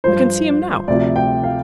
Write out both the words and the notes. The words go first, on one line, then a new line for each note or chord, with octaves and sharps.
I can see him now.
G2 F3 C5
D2 C3 F3 D5
G5
F5